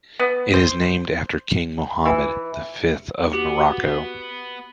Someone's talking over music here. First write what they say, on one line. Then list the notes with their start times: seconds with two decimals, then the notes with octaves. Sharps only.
It is named after King Mohammed the Fifth of Morocco.
0.19 B3
0.54 C5
2.06 E3
3.33 B3 F#4 G4